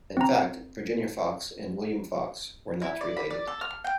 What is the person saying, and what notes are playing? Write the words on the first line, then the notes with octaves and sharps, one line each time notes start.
In fact, Virginia Fox and William Fox were not related.
C4 A#5
E4
D5
B5
D5
A4
F6
G5